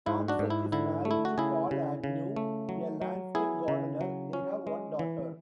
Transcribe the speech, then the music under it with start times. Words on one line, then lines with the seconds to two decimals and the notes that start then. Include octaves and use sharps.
Thomsett is married to Paul Agnew, a landscape gardener; they have one daughter.
0.06 G#2 E4
0.28 D4 F#4
0.39 G#2
0.50 E4
0.72 D3 E4
1.05 A3
1.11 E4
1.25 F#4
1.38 C#3 E4 G#4
1.71 C#3
2.04 C#3
2.36 A3
2.69 F#3
3.02 F#3
3.35 B3 E4 G#4
3.68 C#3
4.01 F#3
4.33 C#4
4.67 G#3
4.99 E3